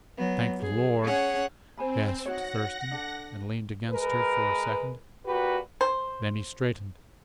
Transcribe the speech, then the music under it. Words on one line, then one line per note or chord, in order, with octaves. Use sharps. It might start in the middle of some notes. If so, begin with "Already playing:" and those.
"Thank the Lord!" gasped Thurston, and leaned against her for a second. Then he straightened.
F#3 B3
G#4
C#4 G#4 C#5 F#5
C4 C5 G#5 B5
D#4 F#4 C#5 F#5 A#6
D4 A4
G#3 A#4 B4
A#2 F#4 G4 B4
C5